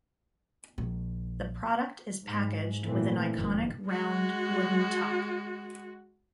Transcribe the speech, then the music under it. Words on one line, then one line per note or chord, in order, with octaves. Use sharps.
The product is packaged with an iconic round wooden top.
A#1
G#2
A#2 E3 A3 C4
F#1 F2 A#2 D#3
G#3 F#4